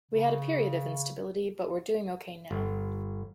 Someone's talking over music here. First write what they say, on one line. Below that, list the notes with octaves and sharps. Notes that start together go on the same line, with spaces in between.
We had a period of instability but we're doing ok now.
C#3
G1